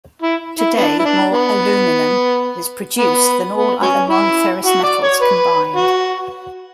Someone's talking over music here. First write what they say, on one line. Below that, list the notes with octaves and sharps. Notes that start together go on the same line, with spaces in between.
Today, more aluminum is produced than all other non-ferrous metals combined.
E4
E4
B3 D4
E4
D4
B3
B3
B3
F#3 C#4
E4
F#4
D5
C#5
B4
F#4